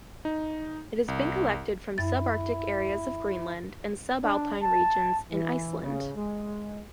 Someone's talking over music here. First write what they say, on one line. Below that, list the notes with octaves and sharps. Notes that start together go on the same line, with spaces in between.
It has been collected from subarctic areas of Greenland, and subalpine regions in Iceland.
D#4
C2
F#2 E4 A6
D4
A5
E3
C#3
G#3